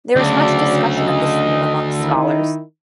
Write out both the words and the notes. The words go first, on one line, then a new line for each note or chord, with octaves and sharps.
There is much discussion of this theme among scholars.
D2 C#3 F#3 D5
D#5
D#3 D#4 E4